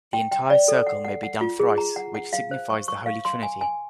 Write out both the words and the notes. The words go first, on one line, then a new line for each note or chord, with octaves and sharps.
The entire circle may be done thrice, which signifies the Holy Trinity.
G5
G5
D5
A4
F#5
F#5
F#5
F4
G#4
A#5
F#5
F#5
F5
C5
C#6
C#6
F5
C6
G#5
G#5